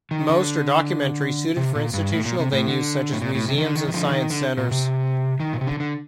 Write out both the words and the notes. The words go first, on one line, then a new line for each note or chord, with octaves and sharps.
Most are documentaries suited for institutional venues such as museums and science centers.
D#3
D3
C3
A#2
G2
A2
A#2
C3
A2
D3
A2
A#2
A2
C3
D#3
D3
D#3
D#3
D3 F3
D#3
D3
A#2
C3
D#3
A#2
C3
D3
D3